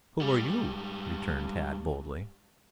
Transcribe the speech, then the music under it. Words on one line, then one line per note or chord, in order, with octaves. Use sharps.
"Who are you?" returned Tad boldly.
G#2 G3